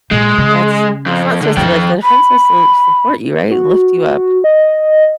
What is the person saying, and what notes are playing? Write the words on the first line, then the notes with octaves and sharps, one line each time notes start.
that's It's not supposed to be like that. A friend's suppose to l support you, right, and lift you up
A#2 G#3
C#3
F2
D3
F2 D#3 F3 G5
B5
F#4
D#5